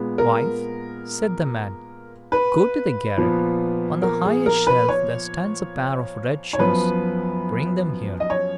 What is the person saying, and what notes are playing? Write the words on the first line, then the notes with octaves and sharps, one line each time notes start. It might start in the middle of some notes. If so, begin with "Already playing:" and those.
"Wife," said the man, "go to the garret: on the highest shelf there stands a pair of red shoes--bring them here."
Already playing: A#2 G#3 B3
A#4
B4
A#2 F3 B3
A#4
G#4
A#4
B4
C#5
C#5
F#2 F3 B3 B4
D#5
C#5